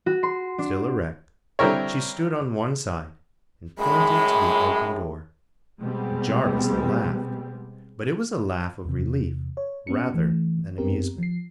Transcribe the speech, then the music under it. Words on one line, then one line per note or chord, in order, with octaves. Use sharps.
Still erect, she stood on one side and pointed to the open door. Jarvis laughed, but it was a laugh of relief rather than amusement.
F#4
C6
D4
D3 G3 C4 E4 A#4 C#5
F#2 A2 G#3 B5
B2 G3 G#3 B3 C4
E2 C3
C#5
B3 C#4 C#7
E3 A3
F#2 B3 C4 G4 A#4
F3 C7